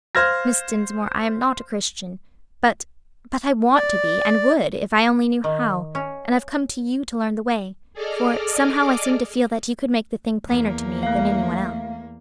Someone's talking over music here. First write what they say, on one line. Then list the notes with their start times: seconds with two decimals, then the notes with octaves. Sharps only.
Miss Dinsmore, I am not a Christian, but--but I want to be, and would, if I only knew how; and I've come to you to learn the way; for somehow I seem to feel that you could make the thing plainer to me than any one else.
0.15 C5 F5 F6 G#6 A#6
3.75 D5
5.44 D#3
5.95 C#4
7.93 G#4 A4 D5 D#5 D6 F6
10.47 E2 A#3
11.03 A3 F5